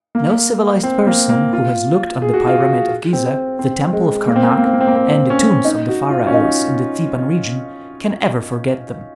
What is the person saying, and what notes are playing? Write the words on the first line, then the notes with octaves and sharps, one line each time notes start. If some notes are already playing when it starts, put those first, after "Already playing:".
No civilized person who has looked on the pyramid of Ghizeh, the temple of Karnak, and the tombs of the pharaohs in the Theban region, can ever forget them.
A#3
C4
A#3
A#3
F4
G#4
F#4
F4
F#4
C4
C4
G#3
A#3
C4
A#3
C4
A#3
C4
A#3
C4
A#3
C4
C#4
D#4
F#4
F4
C#4
D#4